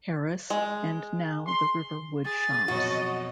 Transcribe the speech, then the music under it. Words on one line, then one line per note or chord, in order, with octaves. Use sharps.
Harris and now The Riverwood Shops.
G#3
C6
G#4 A6
F2 B2 F#3 F#4 D#5